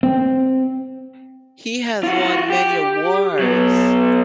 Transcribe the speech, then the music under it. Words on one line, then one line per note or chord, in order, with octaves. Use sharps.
He has won many awards.
C4
F4 F#4
G4
F#3 B3